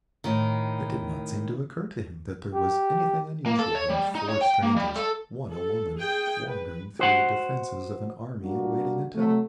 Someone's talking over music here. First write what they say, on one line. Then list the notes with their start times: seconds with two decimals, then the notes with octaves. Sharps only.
It did not seem to occur to him that there was anything unusual in four strangers, one a woman, wandering through the defences of an army awaiting attack.
0.24 A2 D#3
2.53 G4
3.46 A#3
3.59 A4
3.75 C#5
3.90 G3
4.15 D#4
4.29 C#5
4.41 G5
4.62 A#3
4.76 G3
4.96 A4
5.51 A4
5.98 G#4 G5
6.45 B4
6.99 F#4 C5 F#5
8.42 G3 A#3 D4 F#4
9.14 C3 F#3 A3